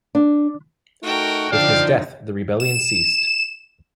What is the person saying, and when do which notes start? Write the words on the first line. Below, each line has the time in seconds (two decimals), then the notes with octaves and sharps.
With his death, the rebellion ceased.
0.15 D4
1.03 A3 D#4 F#4 A#4 G5
1.52 D3 F3 D4 D#4 D5 F5 G5
2.60 E7